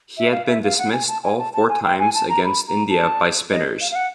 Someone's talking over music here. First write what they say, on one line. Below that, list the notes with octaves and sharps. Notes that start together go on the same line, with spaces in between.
He had been dismissed all four times against India by spinners.
E5
F5
E5
F5
F#5
G#5
A5
G#5
A5
A5
G#5
G5
G#5
A5
A#5
B5
A#5
A5
D#5
F5
F5
F#5